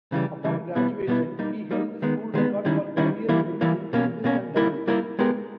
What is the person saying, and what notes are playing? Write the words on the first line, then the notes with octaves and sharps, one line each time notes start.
Upon graduation, he held the school record for career wins in singles and doubles.
C#3 E3 G3
C#3 E3 G3
B2 G3 B3 E4
B2 G3 B3 E4
G3 A#3 D#4
G3 A#3 D#4
D#3 G#3 B3
D#3 G#3 B3
D#3 G3 C#4 E4
D#3 G3 C#4 E4
E3 G3 A#3 E4
E3 G3 A#3 E4
B2 A#3 C#4
B2 A#3 C#4
G3 A#3 E4 A#4
G3 A#3 E4 A#4
G#3 B3 G4 A#4